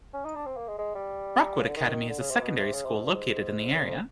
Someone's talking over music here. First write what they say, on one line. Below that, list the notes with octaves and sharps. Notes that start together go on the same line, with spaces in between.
Rockwood Academy is a secondary school located in the area.
C#4
D#4
D4
C4
A#3
G#3
G#3
G3
C#3
D3
D#3
D3
C#3
C3
B2
C3
C#3
C3
G#2
G2
G#2
F#2
F2